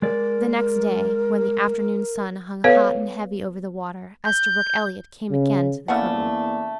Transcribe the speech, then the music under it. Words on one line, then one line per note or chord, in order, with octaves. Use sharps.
The next day, when the afternoon sun hung hot and heavy over the water, Esterbrook Elliott came again to the Cove.
G#3 A#4 D5
B3 A4 B4 C#5 F5
G6
C#3
E2 C#3 A3 A#3 D5 F#5